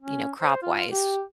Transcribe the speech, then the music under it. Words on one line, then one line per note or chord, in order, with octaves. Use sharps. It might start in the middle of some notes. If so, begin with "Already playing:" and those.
you know, crop-wise.
C#4
C5
F4
G4